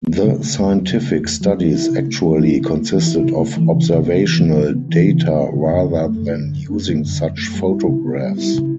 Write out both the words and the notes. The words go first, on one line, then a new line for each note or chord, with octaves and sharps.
The scientific studies actually consisted of observational data rather than using such photographs.
F#3
C#3
A3
E2
F#3
C#3
A3
E2
F#3
E3
E4
C#3
A3
E3
E4
C#3
A3
E3
E4
C#3
A3
E3
C#3
C#3
B3
E3
C#3
C#3
B3
E3
C#3
C#3
B3
D3
F#2
F#2
A3
D3
F#2
F#2
A3
D3
F#2
F#2
A3
G3
E4
C#3
B3
G3
E4
C#3